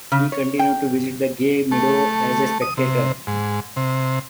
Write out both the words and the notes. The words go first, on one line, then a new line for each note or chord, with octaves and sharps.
He continued to visit the Gay Meadow as a spectator.
C#3
C#5
G5
A3
D#6
C3
G#2
C3